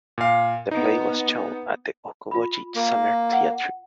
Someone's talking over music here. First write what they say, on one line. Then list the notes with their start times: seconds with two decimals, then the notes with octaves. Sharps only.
The play was shown at the Okoboji Summer Theatre.
0.18 A#2 F5
0.71 B3 D#4
2.31 F4 B5
2.76 A#3
3.33 F#5